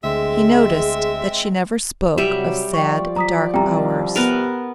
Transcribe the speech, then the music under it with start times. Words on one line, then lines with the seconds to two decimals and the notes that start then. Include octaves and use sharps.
He noticed that she never spoke of sad and dark hours.
0.04 D2 G#3 C4 G#4 E5
2.18 C3 F#3 G3 G4 E5
2.74 F3 F4 D5 G5 C#6
3.16 A#5 D#6 B6
3.54 C2 G5 A#5
4.16 B3 A#4